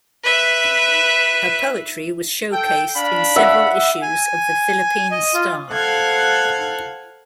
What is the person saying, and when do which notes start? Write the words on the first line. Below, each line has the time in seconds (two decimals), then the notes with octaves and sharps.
Her poetry was showcased in several issues of "The Philippine Star".
0.23 B4 E5
2.52 A4 G5
2.96 D4 F5 B5
3.36 E5 F#5
4.02 G#5
5.11 D#5
5.34 F4
5.72 A4 C5 F5 F#5 F#6 G#6